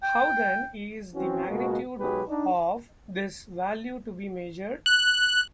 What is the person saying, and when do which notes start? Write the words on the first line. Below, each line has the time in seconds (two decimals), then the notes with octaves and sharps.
How, then, is the magnitude of this value to be measured?
0.03 G5
1.14 E3 C4 C#4 F#4
1.48 C#2 B2 G#3 A#3 F#4
2.00 B1 F#3 G#3 G4 G#4 B4
2.28 D4 D#4
4.86 F#6